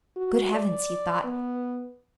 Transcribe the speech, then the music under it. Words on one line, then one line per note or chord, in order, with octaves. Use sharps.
"Good heavens!" he thought.
F#4
D5
B3